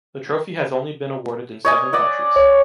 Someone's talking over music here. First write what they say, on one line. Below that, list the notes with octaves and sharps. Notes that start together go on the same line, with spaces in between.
The trophy has only been awarded in seven countries.
C#5 D#5 G#5
D5 D#5 F#5
C#5